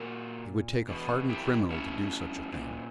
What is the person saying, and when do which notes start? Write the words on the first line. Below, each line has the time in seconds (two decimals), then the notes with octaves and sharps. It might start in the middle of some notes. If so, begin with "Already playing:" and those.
It would take a hardened criminal to do such a thing.
Already playing: A#2 F#4 A#4
0.88 E2 B2
1.29 E4 G4
1.70 C#4 E4
2.52 A#2